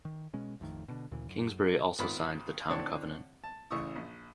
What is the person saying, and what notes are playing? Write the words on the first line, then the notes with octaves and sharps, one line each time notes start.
Kingsbury also signed the Town Covenant.
D#3
B2 G#3 C#4
A1 F2 A2 D#3
B2 D3
D2 A#2 C#3 E3
F#2
G#1 B3 F4 A#4 B5
A2 D3 C4 D4 C#5 A5
A5
A1 C#3 E3 C#6 D#6 E6
A#1